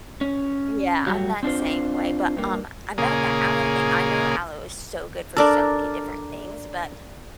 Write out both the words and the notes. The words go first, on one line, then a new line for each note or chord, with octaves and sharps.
Yeah, I'm that same way, but, um, about the aloe thing, I know aloe is so good for so many different things, but
C#4
F#3 G3 F#4 G4
C4 D4 F4 C5
G2 A#3
A#2 C#3 A#3 G#4
D4 A4 A#4 D5